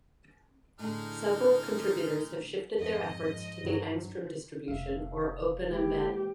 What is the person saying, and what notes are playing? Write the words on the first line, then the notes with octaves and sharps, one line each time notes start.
Several contributors have shifted their efforts to the Angstrom distribution or OpenEmbedded.
A2 D3 G#3 D#4 F6
F2 G#2 F3 D#5
G2 E3 F#3
F1 E5 F5
E3 G#3 A#3 E4 G4